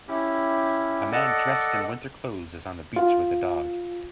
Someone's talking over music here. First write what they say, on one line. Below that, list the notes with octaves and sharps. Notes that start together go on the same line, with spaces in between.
A man dressed in winter clothes is on the beach wiht a dog.
C#4 E4 G4
A4 D5 D#5 F#5
F4